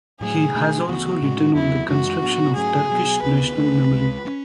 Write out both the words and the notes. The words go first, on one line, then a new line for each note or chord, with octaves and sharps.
He has also written on the construction of Turkish national memory.
A2 F#3 A3 G#4
B2 A3 D4
D2 C#3 E3 B3 F#4
A2 G#3 C#4
E2 D3 F#3 B3 E4
F#2 E3 G#3 D4 F#4
A2 F#3 B3 D4
G#2 F#3 A3 C#4 G#4
B2 F#3 B3
D2 D3 F#3 B3 B4
D2 D3 A3 C#4
C#2 C#3 G#3
G#3 C#4